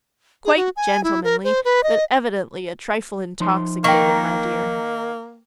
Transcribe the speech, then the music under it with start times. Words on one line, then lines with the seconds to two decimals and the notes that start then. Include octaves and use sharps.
Quite gentlemanly, but evidently a trifle intoxicated, my dear.'
0.45 G#4
0.56 F#4
0.76 G#5
1.04 E4
1.24 A#4
1.44 C5
1.65 B4
1.83 D#5
3.40 F3 D#4 C6
3.84 D#3 A#3 G5 C#6